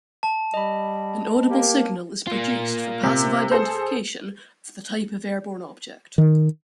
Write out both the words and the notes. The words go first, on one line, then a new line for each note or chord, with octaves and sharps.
An audible signal is produced for passive identification of the type of airborne object.
A5
G3 D#5 B5
A#3 G4
A#3 F4
C3
G#4 A4 C5
D#3